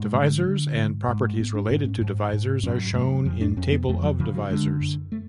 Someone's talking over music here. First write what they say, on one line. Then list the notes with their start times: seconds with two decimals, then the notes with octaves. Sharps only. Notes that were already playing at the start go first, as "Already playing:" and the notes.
Divisors and properties related to divisors are shown in table of divisors.
Already playing: G#2
0.15 D3 A3
0.47 D3
0.77 G#2
1.08 G#2
1.40 G#2 B3
1.55 D4
1.70 G#2 C#4
1.86 C#4
2.01 G#2
2.33 G#2
2.63 F#2 C#4
2.94 F#2 A3
3.25 F2 F3
3.41 D4
3.57 F2 C#4
3.72 B3
3.89 F2 A3
4.04 F#3
4.20 C#3 F3
4.34 F#3
4.50 D3 G#3
4.81 F#2
5.12 A3